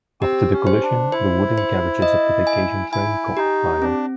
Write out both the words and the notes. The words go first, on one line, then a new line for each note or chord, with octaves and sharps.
After the collision, the wooden carriages of the vacation train caught fire.
C4 G4
C#4
C5
D4
E4 C5
C5
D#5
G#5
E4 G#5
D#4 G4
C4 D4